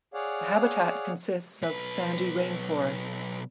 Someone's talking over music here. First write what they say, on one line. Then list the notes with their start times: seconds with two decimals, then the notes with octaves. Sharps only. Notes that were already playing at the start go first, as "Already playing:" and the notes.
The habitat consists of sandy rainforests.
0.14 G#4 C#5 D5 F5 F#5
1.62 B1 B4